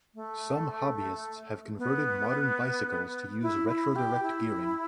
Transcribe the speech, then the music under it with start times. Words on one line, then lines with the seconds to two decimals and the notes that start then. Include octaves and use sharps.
Some hobbyists have converted modern bicycles to use retro-direct gearing.
0.15 A3
1.78 B3
3.42 E4
3.69 E4
3.92 E4
3.96 G4
4.23 E4